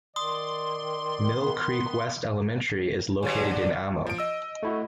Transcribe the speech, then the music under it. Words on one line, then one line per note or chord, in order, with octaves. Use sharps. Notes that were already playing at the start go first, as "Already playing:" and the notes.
Mill Creek West Elementary is located in Amo.
D#3 D5 C6 D#6
B3
G2 D3 F#3 C#5 G#5
D5
F3 D7
D#5 E6
A3 E4 F#4